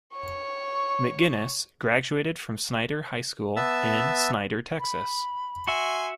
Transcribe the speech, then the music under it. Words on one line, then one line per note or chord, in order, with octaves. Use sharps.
McGinnis graduated from Snyder High School in Snyder, Texas.
C#5 C#6
B3 E5 A5 E6
B5
F#4 E5 G#5 C6